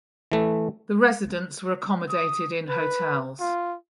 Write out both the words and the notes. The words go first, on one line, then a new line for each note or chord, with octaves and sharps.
The residents were accommodated in hotels.
E3 A3
D#6
B4
F4